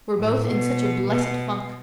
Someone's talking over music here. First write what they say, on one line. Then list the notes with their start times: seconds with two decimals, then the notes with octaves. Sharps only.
We're both in such a blessed funk.
0.16 A2
0.47 B2
1.08 B2